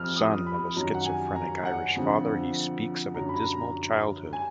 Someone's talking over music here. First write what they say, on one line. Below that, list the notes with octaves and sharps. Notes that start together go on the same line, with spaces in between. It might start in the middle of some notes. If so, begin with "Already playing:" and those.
The son of a schizophrenic Irish father, he speaks of a dismal childhood.
Already playing: F2 F3 F6
D#6
B5
F#2 D#3 F#3 A#5
F#5
G#5
A#5
F#5
F2 D3 F3
F#2 D3 F#3 A#5
B5
A#5
A#5
G#5